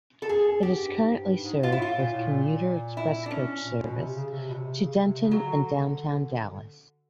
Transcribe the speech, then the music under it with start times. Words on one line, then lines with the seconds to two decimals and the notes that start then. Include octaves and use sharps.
It is currently served with Commuter Express coach service to Denton and downtown Dallas.
0.22 A4
0.29 F#2 G#4
0.63 F#2 G4
0.80 G2
0.96 G#2
1.19 G2
1.41 G#2
1.63 A2 F4
1.72 E4
1.82 F4
1.97 A#2
2.11 A2
2.25 A#2
2.97 E4
3.26 D4
3.31 C#4
3.65 A#2
3.81 B2
3.97 C3
4.15 C#3
4.31 C3
4.49 B2
4.54 C3
4.76 C#3
4.98 C3
5.21 C#3
5.31 F#3
5.43 D3